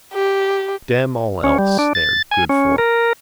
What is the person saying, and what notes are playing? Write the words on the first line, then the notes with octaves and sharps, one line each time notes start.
Damn all else they are good for.
G4
C#4
G3
D4
A6
G#5
C#4
A#4